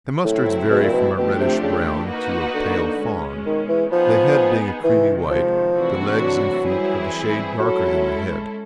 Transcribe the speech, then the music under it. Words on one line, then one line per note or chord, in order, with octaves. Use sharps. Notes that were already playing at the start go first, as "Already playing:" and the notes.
The mustards vary from a reddish brown to a pale fawn, the head being a creamy white, the legs and feet of a shade darker than the head.
A2 C#3 F#3 A3 C4 E4
B2
A#2
B2
B2 D3 F3 A3 D4 G4
C3
C#3
A#3 D#4 F#4 B4
D3
B2 G#3 C#4
D#3
E3
F3 B3 D#4 G#4
C3 D#3 E3 G#3
F3
C3 E3 A3 D4 F#4
F#3
E3 G3 C4 E4 G#4
F#3 G#3 C#4 E4 A4